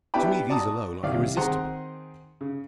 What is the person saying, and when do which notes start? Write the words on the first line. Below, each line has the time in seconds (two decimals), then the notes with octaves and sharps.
To me these alone are irresistible.
0.14 B3 D4 E4 G4 G5 B5
0.49 F#4 D5 A5 A#5 D#6
1.03 C2 D#3 D5 F5
1.37 D#3 C4 G#4 F#5 A#5 C6
2.41 C#3